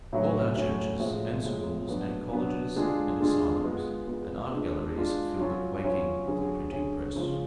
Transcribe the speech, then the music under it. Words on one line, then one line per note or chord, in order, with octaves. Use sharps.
All our churches, and schools, and colleges, and asylums, and art-galleries feel the quaking of the printing-press.
A2 F#3 C#4
A2 F#3 C#4
A2 F3 G#3
A2 F3 G#3
F#3 B3 D4
F#3 B3 D4
D3 G#3 D4 F4 G#4
D3 G#3 D4 F4 G#4
G#3 B3 F4
G#3 B3 F4
G#3 D4 F4
G#3 D4 F4
F#3 C#4 F4
F#3 C#4 F4
D3 F#3 C#4 G#4
D3 F#3 C#4 G#4
C#3 F3 G#3 C#4 F4